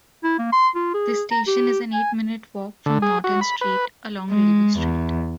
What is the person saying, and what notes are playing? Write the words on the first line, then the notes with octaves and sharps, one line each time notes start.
The station is an eight-minute walk from Norton Street, along Railway Street.
E4
A#3
C6
F4
G#4
A#5
G4
G#5
D3
G#4
F#4
B5
B4
G#3
E2